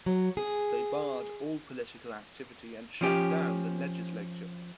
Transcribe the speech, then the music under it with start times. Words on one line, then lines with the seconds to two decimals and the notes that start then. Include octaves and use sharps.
They barred all political activity and shut down the legislature.
0.06 F#3
0.37 G#4
3.01 F3 C#4 G4